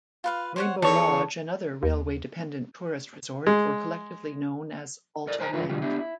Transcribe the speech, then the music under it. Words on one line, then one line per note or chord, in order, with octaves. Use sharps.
Rainbow Lodge and other railway-dependent tourist resorts were collectively known as Alta Lake.
F4 B4 F5
C5 C#5 F#5
E2 A4 C#5
D#2
G#3
A4 A#4 D5
A#4 C5 G#5 A#5
G2 E3 B3 E4 F4 B4
B2 D3 F#3 G3 F4 G4
B3 D4 E4 G4
E4